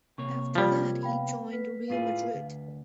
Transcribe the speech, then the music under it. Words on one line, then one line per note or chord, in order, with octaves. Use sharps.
After that, he joined Real Madrid.
C3 A#3 C#5 C#6
F3 G3 C4 F4 A#4 G#6
B3 F5 G5 B5
B4 B6
A2 F4 G#4 F5
D2